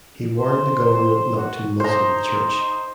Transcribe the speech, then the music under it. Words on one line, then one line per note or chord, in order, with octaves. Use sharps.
He warned the government not to "muzzle" the Church.
C5
F#4
D#4 C5 A#5